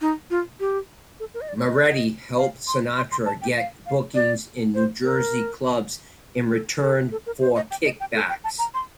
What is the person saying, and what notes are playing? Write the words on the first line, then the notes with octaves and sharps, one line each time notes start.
Moretti helped Sinatra get bookings in New Jersey clubs in return for kickbacks.
D#4
F4
G4
A4
A#4
D#5
D5
D#5
D5
D#5
F5
C6
C6
C6
A5
G5
F5
F5
D5
C5
A#4
A4
A4
A4
A#4
C5
D#5
G5
D#5
G5
A4
G5
A5
A#5
C6